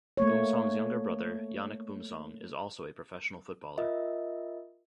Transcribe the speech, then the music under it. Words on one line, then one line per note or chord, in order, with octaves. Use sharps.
Boumsong's younger brother, Yannick Boumsong, is also a professional footballer.
A3 A#3 C#5
F4 A#4 D#5 E5